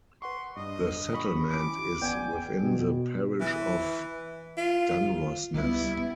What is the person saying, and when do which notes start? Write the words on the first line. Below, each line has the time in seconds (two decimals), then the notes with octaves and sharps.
The settlement is within the parish of Dunrossness.
0.22 B4 F#5 C6 C#6
0.56 G2 D4 D#5
1.13 G5 B5 C#6
1.51 E3 C#4 D6
2.01 G#1 B3 D5 G5 G#5
2.62 B2
3.41 E3
4.58 F4
5.54 C#2 G3 B3 E4